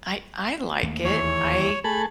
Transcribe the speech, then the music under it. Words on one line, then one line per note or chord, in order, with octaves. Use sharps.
I I I like it. I
D#2 A3 A#3
E2 C#5
A3 G#4 A4 B5